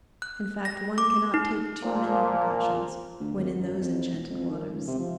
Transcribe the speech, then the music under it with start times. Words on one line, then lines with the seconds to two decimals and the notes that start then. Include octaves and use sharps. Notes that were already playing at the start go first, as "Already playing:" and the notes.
In fact, one cannot take too many precautions when in those enchanted waters.
0.22 F#6
0.65 A#6
0.98 D6
1.34 D#4
1.83 A#2 F3
3.20 D2
3.36 G#1
3.59 F#2
3.80 F2
4.12 E1
4.30 F2
4.49 D#3
4.73 C#2
4.87 C3
4.99 F3